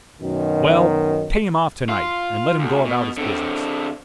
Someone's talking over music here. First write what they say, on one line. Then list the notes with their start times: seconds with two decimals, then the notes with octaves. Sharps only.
"Well, pay him off to-night, and let him go about his business."
0.21 F#2 B2 D#3
1.89 F4
2.59 D2
2.85 B2
3.17 D3 C4